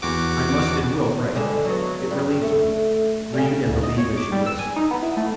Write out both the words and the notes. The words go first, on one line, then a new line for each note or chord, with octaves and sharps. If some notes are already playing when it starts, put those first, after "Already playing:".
I must and will write--it relieves me; read and believe as you list.
E2 F#4 D6
G2 D3 G#3
F#3 B3
G2
A3
C#3 G3
D2
D#5
C#5
D6
G3
E6
G#5
D#4
B3
E4
A3